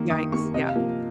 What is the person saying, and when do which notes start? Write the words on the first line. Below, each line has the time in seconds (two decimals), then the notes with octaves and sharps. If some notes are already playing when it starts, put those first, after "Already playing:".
Yikes, yeah.
Already playing: D#3 A#3
0.10 D#3 D#6
0.32 A#3 C#6
0.54 C3 D#5
0.68 F5
0.75 F3 A#3